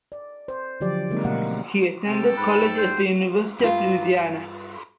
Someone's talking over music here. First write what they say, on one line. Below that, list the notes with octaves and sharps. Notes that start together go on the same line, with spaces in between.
He attended college at the University of Louisiana.
D5
C5
D3 F3 F#3 G4 D5
D3 G#3 A#3 C4 D#4
B2 A3 A#3 D#5 F5 F#5
C3 A4 G5
G#2 B4
C5
G2 F4